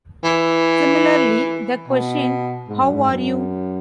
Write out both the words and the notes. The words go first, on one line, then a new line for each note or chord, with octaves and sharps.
Similarly, the question how are you?
E3
B2
G#2
F#2
G#2
F#2